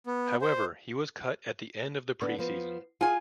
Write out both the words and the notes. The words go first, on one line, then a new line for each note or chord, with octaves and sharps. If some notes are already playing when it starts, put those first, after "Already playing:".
However he was cut at the end of the preseason.
B3
C5
D3 B3
F3 B3
F4 G#4 G#5